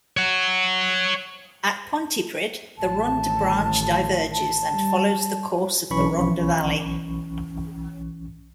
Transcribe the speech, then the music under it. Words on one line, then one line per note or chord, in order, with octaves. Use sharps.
At Pontypridd the Rhondda branch diverges and follows the course of the Rhondda Valley.
C#5 F#5
A1 D#3 A5
A5
G3
B1 E3 C#4 B5 C#6